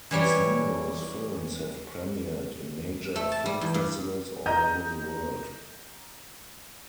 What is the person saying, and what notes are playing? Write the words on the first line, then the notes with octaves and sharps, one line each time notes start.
His numerous films have premiered in major film festivals all over the world.
E3 G3 C#5
A3
A5
G3
E2
G2
D#5 A#5 G6 D#7